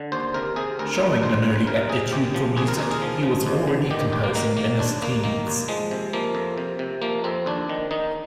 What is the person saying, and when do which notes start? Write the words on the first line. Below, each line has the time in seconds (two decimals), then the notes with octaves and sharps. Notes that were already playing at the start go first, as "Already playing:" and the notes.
Showing an early aptitude for music, he was already composing in his teens.
Already playing: D3
0.12 D#2 C5
0.34 C3 A#4
0.56 C3 G#4
0.79 D2 A#4
1.01 F3
1.23 D2 C5
1.45 D2
1.67 C3 A#4
1.89 C3 G#4
2.12 D#2 G4
2.34 F3
2.57 D#2 G#4
2.68 A#4
2.79 D#2 A#4
2.91 G#4
3.02 F3
3.23 F3
3.46 D#2
3.68 D3
3.91 D#3 G4
4.01 G4
4.12 D#2 G4
4.24 A#3
4.35 D#3 A#3
4.57 D#3 A#3
4.79 D#2 D4
5.02 D#2 A#3
5.24 D#3 A#3
5.47 D#2
5.68 F3 G#3
5.91 C3
6.13 F3 A#3
6.35 F2
6.58 C3
6.79 C3
7.02 F3 A#3
7.24 F2 C4
7.46 D#2 D4
7.69 D#3
7.91 D#3 D#4